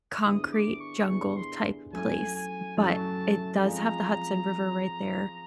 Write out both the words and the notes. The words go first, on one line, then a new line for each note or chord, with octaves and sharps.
concrete jungle-type place, but it does have the Hudson River right there.
D3 G3 B3 E4 G#4 D#6
D6
C#6
D3 G3 B3 E4 G#4 C#6
C6
F#3 A3 C#4 E4 A4 G#5
G#5
F#3 A3 C#4 E4 A4 A5
F3 G#3 C4 A#5